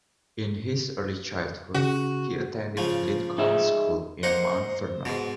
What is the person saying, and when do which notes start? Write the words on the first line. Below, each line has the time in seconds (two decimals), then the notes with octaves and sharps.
In his early childhood he attended Lincoln School in Mount Vernon.
1.74 C#3 F#4
2.77 C#3 F3
3.38 D#4 G#4 E5
4.23 A#3 D#4 C5 F#5
5.05 G#2 B2